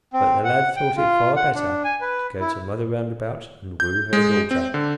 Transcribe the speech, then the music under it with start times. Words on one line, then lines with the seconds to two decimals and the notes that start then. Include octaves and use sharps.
But the lad thought it far better to go to Mother Roundabout and woo her daughter.
0.13 C4
0.44 F#5
0.76 G5
0.97 F4
1.36 F#5
1.54 D4
1.84 G#5
2.01 B4
2.40 E4
3.80 G6
4.13 G#3
4.51 C4
4.74 D3